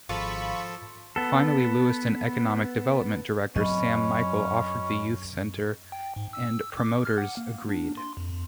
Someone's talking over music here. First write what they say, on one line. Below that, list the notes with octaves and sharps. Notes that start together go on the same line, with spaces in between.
Finally Lewiston economic development director Sam Michael offered the Youth Center, and promoters agreed.
G#1 F3 F4 A4 B5 C#6
B3 A4
F#2 F#3 C4 C#4 D#5 B5
G5
G#2
E6
D6
F6
F#5
A#3
D4
C6
F2